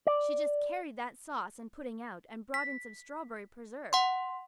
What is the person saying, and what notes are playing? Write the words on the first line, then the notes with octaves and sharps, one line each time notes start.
She just carried that sauce and pudding out and brought in some strawberry preserves.
D5
B6
F#5 C6